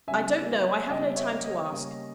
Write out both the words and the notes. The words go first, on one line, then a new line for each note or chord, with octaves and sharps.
'I don't know,--I have no time to ask.
C#3 G3 B3 E5 G#5
C#3 G3 B3 D#5 G5
C#5 E5
D#5
C#3 G3 A#3 C#4